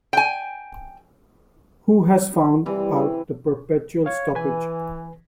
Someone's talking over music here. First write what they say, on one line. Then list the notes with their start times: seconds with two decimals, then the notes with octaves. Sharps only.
Who has found out the perpetual stoppage?
0.13 G5 G#5
2.66 C3 E3 G3
4.06 C#5 F5
4.35 E3 B4 G#5